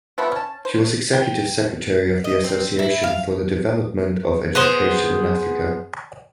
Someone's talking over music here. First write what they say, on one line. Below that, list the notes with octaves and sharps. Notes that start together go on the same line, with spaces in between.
She was Executive Secretary of the Association for the Development of Education in Africa.
F3 A3 B3 C4
C#4 A5
C5
G5
D#5
C4
E4
F5
B3 G#4 C5